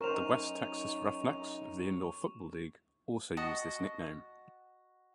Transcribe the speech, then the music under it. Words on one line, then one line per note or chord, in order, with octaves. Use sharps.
The West Texas Roughnecks of the Indoor Football League also use this nickname.
F#2 D#4 A#4 C5 C#6 E7 F7
F#4 D#5 A5